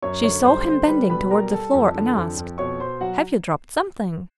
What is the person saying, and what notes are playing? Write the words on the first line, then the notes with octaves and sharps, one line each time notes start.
She saw him bending toward the floor, and asked, "Have you dropped something?"
F#2 C#5 C#6
D3 C#5 C#6
G3 C5 C6
D3 C5 C6
G3 B4 B5
B2 B4 B5
G3 A#4 A#5
G3 A4 A5
F2
D3
F2
F2
B2 C#5 C#6
B2 C5 C6
F#3 F#4 F#5